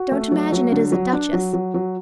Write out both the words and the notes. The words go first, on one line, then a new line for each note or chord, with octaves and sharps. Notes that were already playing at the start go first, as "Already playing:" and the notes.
Don't imagine it is a duchess.
Already playing: F#4
A3
F#3
F#3
D3
F#3
D4
F#3
F#3
F#3